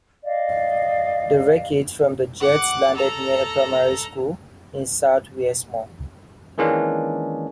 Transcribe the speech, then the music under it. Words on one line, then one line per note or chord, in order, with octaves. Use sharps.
The wreckage from the jets landed near a primary school in South Wiesmoor.
D5 D#5 F5
F#5 D6
A4 A#5
D#3 E3 G#3 A#3 C#4 D4